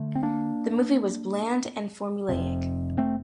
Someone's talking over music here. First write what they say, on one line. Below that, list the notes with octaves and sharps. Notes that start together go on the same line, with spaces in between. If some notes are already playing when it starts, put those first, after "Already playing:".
The movie was bland and formulaic.
Already playing: D3 A3
C4
A#3 D4
F1 F2 C3
A3 C4